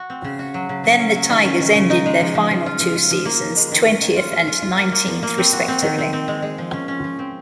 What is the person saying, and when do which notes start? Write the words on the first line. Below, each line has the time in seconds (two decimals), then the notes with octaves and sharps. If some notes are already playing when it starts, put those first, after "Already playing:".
Then, the Tigers ended their final two seasons twentieth and nineteenth, respectively.
Already playing: F#4
0.10 C4
0.24 C#3
0.39 F#4
0.54 F#3
0.69 C#3
0.84 F#3
1.00 C#4
1.15 F#3
1.29 D#3
1.45 C#4
1.60 D#3
1.75 C#3
1.90 D#4
2.06 G#3
2.20 F3
2.35 F3
2.51 F3
2.66 F4
2.80 F3
2.96 F4
3.11 F3
3.25 A#3
3.41 F3
3.56 G#3
3.72 D#3
3.86 C#4
4.01 D#3
4.16 F4
4.32 F4
4.47 F4
4.62 F4
4.77 A#3
4.92 A#3
5.08 F3
5.23 A#3
5.38 C4
5.53 F#4
5.68 C4
5.82 D#3
5.98 C4
6.13 C4
6.28 G#3
6.42 G#3
6.58 F3
6.73 C#4
6.88 C#4
7.04 F3
7.19 C4